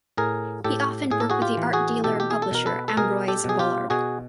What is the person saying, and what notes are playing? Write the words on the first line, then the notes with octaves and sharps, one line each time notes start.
He often worked with the art dealer and publisher Ambroise Vollard.
A2 G#4 A#4
A2 G4 A4
A2 G#4
A4
F#4 G#4
F4 G4
E3
F#4 G#4
B2 G4 A4
G4
G#4
A4
B2 A#4
A4 B4
A4
B2 G#4 A#4
G4 A4
B2 G#4
F4 G4
B2 F#4 G#4